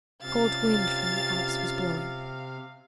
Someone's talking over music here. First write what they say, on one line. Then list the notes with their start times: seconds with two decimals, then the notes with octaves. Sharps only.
A cold wind from the Alps was blowing.
0.22 C3 G3 C#4 F4 F5 A6